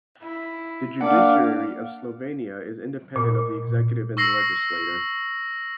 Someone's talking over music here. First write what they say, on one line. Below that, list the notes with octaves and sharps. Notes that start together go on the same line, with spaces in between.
The judiciary of Slovenia is independent of the executive and the legislature.
E4
A#3 D4 D5 F5 F#5
A#2
C#6 E6 A#6 C7 F#7